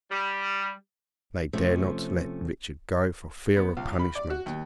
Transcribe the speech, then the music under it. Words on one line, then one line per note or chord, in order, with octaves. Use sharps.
And they dare not let Richard go for fear of punishment.
G3
C3 F3 A3 C#4
B3
C#2
B5
D5
F#4
D#2